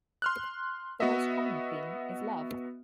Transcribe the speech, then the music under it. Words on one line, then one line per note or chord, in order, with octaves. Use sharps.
The most common theme is love.
C6 F6 F#6
B3 F#4 D#5 E5